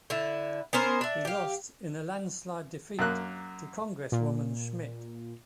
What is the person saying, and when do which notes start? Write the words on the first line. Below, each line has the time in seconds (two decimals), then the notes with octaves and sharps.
He lost in a landslide defeat to Congresswoman Schmidt.
0.10 D3 E4
0.73 B3 C#4 A#4 C5
1.01 D4 E5
1.25 G4 F5
2.99 F#2 A#3 F#6
4.12 A#2